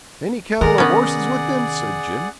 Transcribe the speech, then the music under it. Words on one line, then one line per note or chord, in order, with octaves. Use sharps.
'Any cattle or horses with them?' said Jim.
C3 D#3 G#4 A#4 D5 F#5
B3 C#4